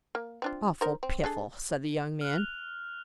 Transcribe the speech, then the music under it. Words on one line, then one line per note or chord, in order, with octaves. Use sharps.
"Awful piffle," said the young man.
A#3
C4 D4 F4
D#4 A#4 C5
C4
D4 G#4 A4
F6 F#6
F7